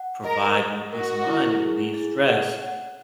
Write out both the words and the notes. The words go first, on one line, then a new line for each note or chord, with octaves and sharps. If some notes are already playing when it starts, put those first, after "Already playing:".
provide more peace of mind, and relieve stress,
Already playing: F#5
A#4 D#5
D#5
F#4 A#4
E4
G#4
G#4
F#5
F#5